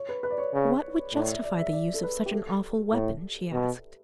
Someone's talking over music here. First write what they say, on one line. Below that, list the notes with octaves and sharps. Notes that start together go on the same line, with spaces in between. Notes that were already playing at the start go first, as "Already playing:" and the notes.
"What would justify the use of such an awful weapon?" she asked.
Already playing: C#5
B4
B4
D5
C#5
C#3
A2 D5
E5
D5
E5
D5
A4
B4
G4
A4
A2
B2